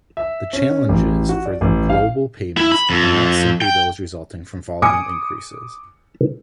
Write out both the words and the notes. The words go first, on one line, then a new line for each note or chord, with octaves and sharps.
The challenges for global payments are not simply those resulting from volume increases.
E5
C#4
A1
F#4
D5
A1
F5
E4
B5
F2
G5
G#5 D6 D#6 C#7